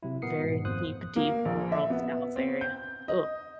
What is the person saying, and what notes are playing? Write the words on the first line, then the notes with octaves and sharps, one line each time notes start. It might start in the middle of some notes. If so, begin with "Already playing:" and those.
very deep, deep rural South area, ugh.
C3 F#3 E4
A#2 B3 A#4 D#6 C7 C#7
G#2 B2
G#1 F2 A#3 C5 D#6 F#6
A#3
A#1
E5
B3
C4
G6
D#5